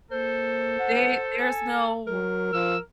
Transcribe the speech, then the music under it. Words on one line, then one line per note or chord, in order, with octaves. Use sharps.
they there's no
A#3 A4 C5
F#5
G#5
F#3 A#4
F3 E6